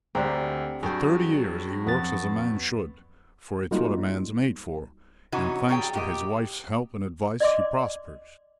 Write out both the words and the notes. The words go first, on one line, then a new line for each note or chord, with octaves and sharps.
For thirty years he works as a man should-- for it's what a man's made for--and thanks to his wife's help and advice he prospers.
D2 C4 D4 G4 A#5
G2 F#3 G#4 G5
F2 B3 A6
F#3 G3 A3 A#3 D#4 F4
C3 E3 F#3 C#4 D#4 F#4
F#3 G3 G#4 G5
A#2 G4 D#5
D5 D#5 C6 D6